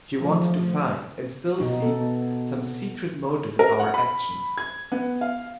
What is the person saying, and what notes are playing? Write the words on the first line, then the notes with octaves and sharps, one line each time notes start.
She wanted to find, and still seeks, some secret motive in our actions.
F3 A3
B2 D#4 F#4
B3 A4
A#4
F#5
B5
G#6
B3
F5